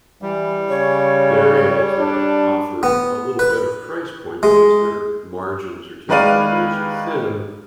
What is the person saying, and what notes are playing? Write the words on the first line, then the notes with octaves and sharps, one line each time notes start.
they're able to offer a little better price point because their margins are typically razor thin,
E3 G3
C#3 C#5
D4
B3
B4
G#3
D#3 G#3 B4 D5 F5 D#7